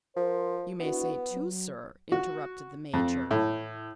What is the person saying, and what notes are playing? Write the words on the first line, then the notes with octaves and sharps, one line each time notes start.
"You may say two, sir," interrupted the Major.
F3 A#4 C5
B3 D4 E4 F#4
F#3
F#4
F2
A2